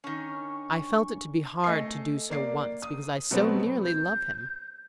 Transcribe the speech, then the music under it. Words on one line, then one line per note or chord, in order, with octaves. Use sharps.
I felt it to be hard to do so once, because I so nearly love him!
D#3 C#4 D4 G#5 C#6
A3 D#5 G#5 C7
A#3 D5 C7
D#6
B2 F#3 A3 B3 C4
G6